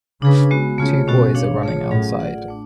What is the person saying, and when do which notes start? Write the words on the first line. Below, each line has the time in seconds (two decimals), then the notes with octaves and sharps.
Two boys are running outside.
0.22 C#3 D4 G#4 B4
0.51 G#3 B3 F#4
0.78 C#3 A3 F4 G#4 C#5
1.07 B2 G#3 C#4 F#4 A4
1.35 D4 G#4 C#5 F5
1.63 A3 F4 G#4 C#5
1.91 A2 F#3 C#4 F4 G#4
2.19 F4 G#4 D5 F#5
2.48 A3 D4